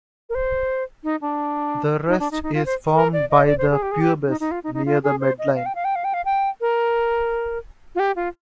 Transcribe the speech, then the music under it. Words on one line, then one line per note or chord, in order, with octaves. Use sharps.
The rest is formed by the pubis, near the midline.
A#4
C5
D#4
D4
D#4
D4
D#4
D#4
F4
C5
A#4
D5
D#5
D5
C5
G#4
G4
G#4
G4
D#4
D#4
F4
D#4
D#4
F4
G#4
C5
D#5
F5
G5
F5
G5
F5
G5
F5
G5
A#4
F4
G4
F4